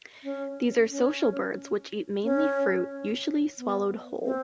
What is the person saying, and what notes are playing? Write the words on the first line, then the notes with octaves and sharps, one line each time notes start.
These are social birds which eat mainly fruit, usually swallowed whole.
C#4
C#4
C#4
B3
C4